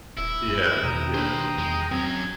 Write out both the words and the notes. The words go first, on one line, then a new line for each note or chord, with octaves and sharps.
Yeah, yeah.
D#1 E4
F#2
E2 B2 D#3 G5 A#5 D#6
D4 B4 C5
E2 G#3
F#2 F#3 C4 G#6